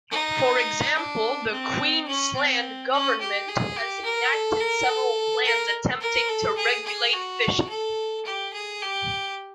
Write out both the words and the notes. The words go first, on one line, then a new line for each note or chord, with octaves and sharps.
For example, the Queensland Government has enacted several plans attempting to regulate fishing.
D#4
D4
C4
C#4
C4
C#4
G4
G#4
G4
A#4
A4
A#4
A4
A#4
A#4
A4
G#4
G#4
F#4
A4
G4
G#4
G4